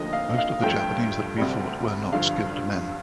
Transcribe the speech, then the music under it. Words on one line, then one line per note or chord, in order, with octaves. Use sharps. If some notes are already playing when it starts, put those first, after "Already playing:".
Most of the Japanese that we fought were not skilled men.
Already playing: D#2 D3 F3 A3 D#5
F5
F5
G2 F3 A3 G5
D2 C3 G3
G2 D3 F3 F5